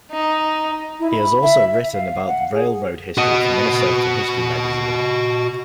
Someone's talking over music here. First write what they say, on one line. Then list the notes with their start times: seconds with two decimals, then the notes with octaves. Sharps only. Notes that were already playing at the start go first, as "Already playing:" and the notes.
He has also written about railroad history for Minnesota History magazine.
0.12 D#4
1.00 E4
1.12 B5
1.43 E5
1.73 E5
1.93 F5
2.28 F#5
2.52 G#4
3.18 F#4 D#5